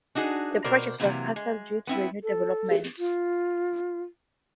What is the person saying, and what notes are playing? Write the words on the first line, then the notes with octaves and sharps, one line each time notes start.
That project was cancelled due to the new developments.
D4 D#4 F#4 G#4
B2 A#4 C5 D5
C3 E3 F#3 G#3 A#3 C4
G#3
B3 C4 E4
A4
F4